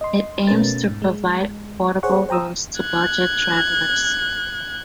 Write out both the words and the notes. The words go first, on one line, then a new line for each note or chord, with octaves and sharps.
It aims to provide affordable rooms to budget travelers.
D#5 C6
B2 A3 C#4 A#4 B4 A6
G#2
G#3
G#4 C5 C#5 F#5 C#6
C5 G5 A#5 D#6 E6
F#6 G#6